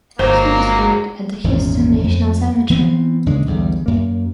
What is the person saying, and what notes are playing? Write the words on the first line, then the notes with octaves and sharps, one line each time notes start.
He was buried at the Houston National Cemetery.
G1 G#2 F#3 A#3 C5
G#1 E2 A#2 C#4
F2
E3 B3 C4
D#2 C#3 G#3 D4
B1 E2 D3 G3
F#2 A#3